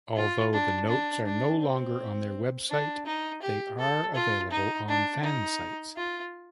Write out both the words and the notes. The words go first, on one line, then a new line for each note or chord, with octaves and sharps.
Although the notes are no longer on their website, they are available on fansites.
F4
D4
D4
D4
C4
D4
D#4
G4
A4
F4
D#4
D4
D#4
F4